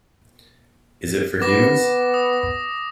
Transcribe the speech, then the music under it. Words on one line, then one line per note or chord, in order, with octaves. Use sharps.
Is it for humans?
B3 D6 A#6
D#6